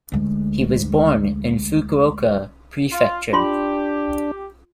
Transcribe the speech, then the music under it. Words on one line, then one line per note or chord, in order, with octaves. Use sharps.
He was born in Fukuoka Prefecture.
D2 G#3
F4
D4 F4 G4 C6